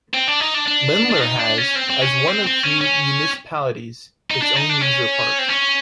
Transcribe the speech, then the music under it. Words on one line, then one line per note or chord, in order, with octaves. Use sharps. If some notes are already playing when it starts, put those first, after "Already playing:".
Lindlar has, as one of few municipalities, its own leisure park.
C4
D4
D#4
D4
D4
D4
D#4
D4
C#4
C4
C4
C#4
C4
C4
C#4
C#4
D#4
D4
D#4
D4
C#4
C4
C#4